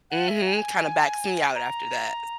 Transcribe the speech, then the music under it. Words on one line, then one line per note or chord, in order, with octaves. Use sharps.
Mhm. Kinda backs me out after that,
F#5
E5
G#5
A#5